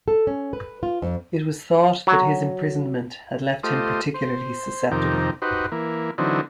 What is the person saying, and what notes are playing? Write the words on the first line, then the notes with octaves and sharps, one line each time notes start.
It was thought that his imprisonment had left him particularly susceptible.
A4
C#4
B4
F4
F2
F#3
A3 F4 G4 C5 D#5
C5
F2 C3 D#3 G4 A#4
D#4 F#4 G4 B4 C5
E3 A#3
D3 E3 F#3 C4 D#4